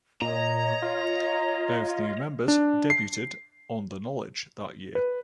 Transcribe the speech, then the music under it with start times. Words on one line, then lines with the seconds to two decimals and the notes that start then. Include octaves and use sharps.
Both new members debuted on "The Knowledge" that year.
0.21 A#2 C#5 D#5 A#5
0.82 F4
2.48 D4
2.90 C7
4.95 B4